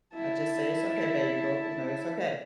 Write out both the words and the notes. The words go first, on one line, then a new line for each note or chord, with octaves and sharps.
I just say, "it's okay, baby, go you know, it's okay.
E4 A5